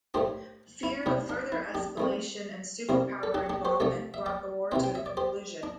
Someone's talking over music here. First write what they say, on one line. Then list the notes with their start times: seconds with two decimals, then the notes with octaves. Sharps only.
Fear of further escalation and superpower involvement brought the war to a conclusion.
0.14 A2 A3 D4 G4 C5
0.83 E4
1.06 C3 G3 D4 E4
1.29 D4
1.52 E4
1.75 D4 G4
1.97 E3 A3 C4
2.89 C3 G3 C4 E4
3.23 A4
3.34 D4 G4
3.50 D4 G4
3.65 G4 C5
3.80 C3 A3 D4 A4 D5
4.14 E5
4.26 D5 G5
4.71 C3 E3 C4 C5 E5
4.84 G5
4.95 E5
5.06 D5
5.17 G4 C5
5.63 D4